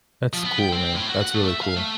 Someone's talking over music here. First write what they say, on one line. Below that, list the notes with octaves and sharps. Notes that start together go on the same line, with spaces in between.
That's cool, man. That's really cool.
F3
B3
G5
C4
A2
F#4
F#5
A3
E5
F5
A3